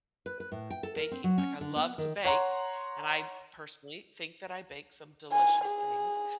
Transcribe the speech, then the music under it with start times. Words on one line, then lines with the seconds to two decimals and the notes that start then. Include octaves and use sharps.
baking. Like, I love to bake, and I, personally, think that I bake some delicious things,
0.26 B4
0.40 B4
0.52 A2
0.70 G5
0.83 A4
0.96 A#4
1.11 C4
1.24 F#3
1.38 C#4
1.61 D3
1.76 B3
1.98 D#3
2.25 C#5 F#5 A#5 C6
5.32 G#5
5.65 G#4